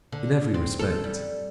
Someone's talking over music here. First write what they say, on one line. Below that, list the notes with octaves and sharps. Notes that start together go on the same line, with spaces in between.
"In every respect."
D3
C4
A4
G3